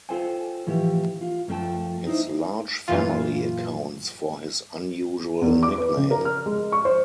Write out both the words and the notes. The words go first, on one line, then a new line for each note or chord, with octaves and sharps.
His large family accounts for his unusual nickname.
F4 A4 C5 G5 G#5
A2 E3 F3 G4
F4
F#2 F3 A3 C#4 G5 A5
D#4 E4 C5
F#2 A#2 E3 F4
E2
D6
B4
C#3
A#4
F6
G#3
C#6
C5